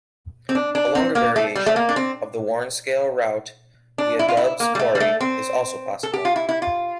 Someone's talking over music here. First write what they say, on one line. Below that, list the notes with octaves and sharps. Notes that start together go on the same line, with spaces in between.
A longer variation of the Warnscale route via Dubs Quarry is also possible.
C4
D4
D4
C4
A#3
A3
G3
A3
A#3
D4
C4
D4
E4
F4
E4
A#3
G3
A3
G3
A3
C4
A4
G4
F4
E4
E4
F4